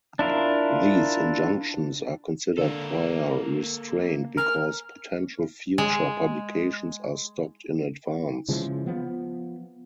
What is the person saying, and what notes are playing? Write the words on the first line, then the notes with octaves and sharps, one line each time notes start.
These injunctions are considered prior restraint because potential future publications are stopped in advance.
D4 E4 F4 A#4
D3 A#3 A4
A#4 G#5 F6
G#3
C#3 E3 F3 G#3
F3 B3